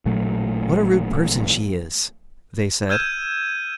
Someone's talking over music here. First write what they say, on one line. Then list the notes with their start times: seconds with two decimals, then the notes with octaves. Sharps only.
"What a rude person she is!" they said.
0.05 A1 A#2 F#3 A3
2.89 E6 F6 G6 G#6 D#7 E7